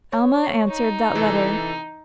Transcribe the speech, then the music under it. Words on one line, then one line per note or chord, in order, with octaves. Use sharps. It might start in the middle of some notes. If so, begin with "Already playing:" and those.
Alma answered that letter.
C#5
D#4
C3 E3 A4